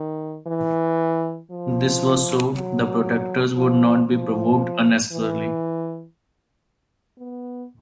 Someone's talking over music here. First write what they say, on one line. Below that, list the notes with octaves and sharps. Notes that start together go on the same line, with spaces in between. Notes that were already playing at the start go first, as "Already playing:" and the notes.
This was so the protectors would not be provoked unnecessarily.
Already playing: D#3
E3
F3
F#3
F3
F3
E3
B3